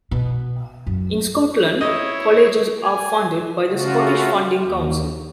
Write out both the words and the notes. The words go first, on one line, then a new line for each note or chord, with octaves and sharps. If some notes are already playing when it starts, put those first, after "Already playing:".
In Scotland, colleges are funded by the Scottish Funding Council.
B2
F#2
E4 C#5 D#5
G#5
C#3 A3 F4 F#4
D#2